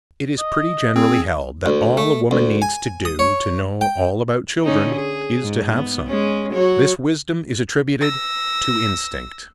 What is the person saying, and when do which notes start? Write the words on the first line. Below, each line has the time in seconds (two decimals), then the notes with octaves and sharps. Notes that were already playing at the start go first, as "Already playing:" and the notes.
It is pretty generally held that all a woman needs to do to know all about children is to have some. This wisdom is attributed to instinct.
0.38 D#5
0.96 C4 G#4
1.66 D2
1.97 A3
2.31 D2
2.62 G#5
3.05 D#6
3.19 C#5
3.81 G5
4.64 D3 C#4 D#4
4.95 G#4
5.42 G#2
5.73 B3
6.07 G#3 C#4
6.52 F#3 F#4 C#5
8.01 E6 A#6